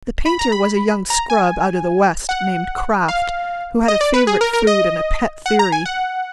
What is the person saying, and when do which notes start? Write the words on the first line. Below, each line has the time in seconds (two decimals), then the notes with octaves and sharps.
The painter was a young scrub out of the West named Kraft, who had a favourite food and a pet theory.
0.26 B5
0.39 A#5
0.52 B5
1.10 A#5
1.30 G#5
2.29 F#5
3.08 F5
3.88 D#5
4.01 D5
4.14 B4
4.27 G#4
4.41 A#4
4.53 A#4
4.67 D#5
5.46 F#5
5.59 A#5
5.72 G#5
5.86 F#5